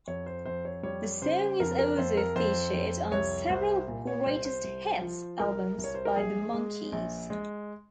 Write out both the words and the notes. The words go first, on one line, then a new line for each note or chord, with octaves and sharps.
The song is also featured on several "greatest hits" albums by The Monkees.
F2 C#5
C5
F2 C5
C#5
G3 C#5
C#3 C5
F2 A#4
A#4
F2 C5
A#4
F2 C5
F2
C2 C#5
C2 C5
A#2
C#5
C2 C5
C5
C2
F3
C2 A#4
C2
C#5
C5
A#4
A#1 G#4
G#3
A#1
G#3